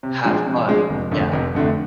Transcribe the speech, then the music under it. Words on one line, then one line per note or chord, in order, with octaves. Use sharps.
have fun yeah.
C3
F3 G#3 D4 G#4
C3
F3 G#3 D4 G#4
F1
F2 D3 A3
F1
F2 D3 A3